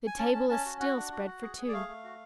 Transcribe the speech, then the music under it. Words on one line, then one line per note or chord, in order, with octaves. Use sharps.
The table is still spread for two.
G#5
C#4 A5
C#4
C#4 A5
F#4
F#4 F#5
D4
F#4
F#4
G#4
G#4
D5
A3 F5
A3
F#4